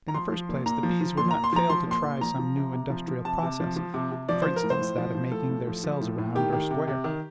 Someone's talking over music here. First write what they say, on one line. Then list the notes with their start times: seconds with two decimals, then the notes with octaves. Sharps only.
In the first place, the bees would not fail to try some new industrial process; for instance, that of making their cells round or square.
0.08 A#5
0.14 F3 C6
0.32 F3
0.49 A#2
0.66 A#2 A#5
0.83 F3
1.01 F3
1.17 A#2 C6
1.31 A#2 A#5
1.44 C6
1.53 F3 A#5
1.70 F3 C6
1.87 A#2 C6
2.04 A#2
2.21 F3 A#5
2.39 F3
2.56 C3
2.73 C3
2.90 F3
3.08 F3
3.25 C3 A5
3.43 C3
3.60 F3
3.76 F3
3.94 C3
4.11 C3
4.29 F3 D5
4.42 F3 C5
4.56 A#4
4.63 A2
4.70 C5
4.80 A2
4.98 F3
5.15 F3
5.32 A2 A4
5.49 A2
5.67 F3
5.84 F3
6.01 A2
6.18 A2
6.35 D#3 G4
6.53 D#3
6.71 C3
6.88 C3
7.04 D#3